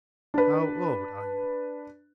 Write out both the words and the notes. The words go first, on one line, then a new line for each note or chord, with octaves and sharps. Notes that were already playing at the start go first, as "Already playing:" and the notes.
"How old are you?"
D4 B4